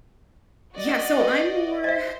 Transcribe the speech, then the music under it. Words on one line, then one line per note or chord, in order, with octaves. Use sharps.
Yeah, so I'm more
F#4 D5 D#5
B4
C5 D#5 E5